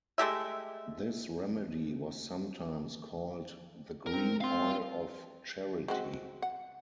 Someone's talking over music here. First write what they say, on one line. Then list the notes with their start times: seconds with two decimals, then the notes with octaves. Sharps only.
This remedy was sometimes called the "Green Oil of Charity".
0.18 G#3 A3 G4 E5
4.06 C4 A#4
4.41 C4 F5 C6
5.88 G#3 C4 F#4
6.42 F#5